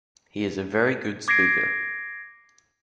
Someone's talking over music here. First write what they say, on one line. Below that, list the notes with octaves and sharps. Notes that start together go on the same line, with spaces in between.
He is a very good speaker.
D6 G#6 A#6 C7 D7